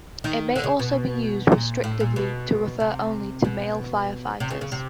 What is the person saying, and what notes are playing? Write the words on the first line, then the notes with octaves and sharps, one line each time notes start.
It may also be used restrictively to refer only to male firefighters.
D#3
D3
C#3
B2
A#2
A2
A#2
B2
C3
B2
C3
C#3
C#3
C3